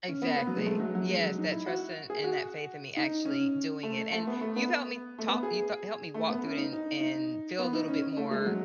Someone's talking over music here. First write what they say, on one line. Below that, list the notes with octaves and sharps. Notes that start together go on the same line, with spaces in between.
Exactly. Yes. That trust and and that faith in me actually doing it. And you've helped me ta you th helped me walk through it and and feel a little bit more
C#4
B3
B3
F#3
G#3
A3
F#3
F#3
G#3
F#3
D#4
E4
F#4
G#4
F#4
D#4
C#4
A3
A3
B3
A3
B3
A3
B3
G#4
A3
B3
C#4
D#4
D#4
D#4
B3
D#4
C#4
C#4
A3
G#3
F#3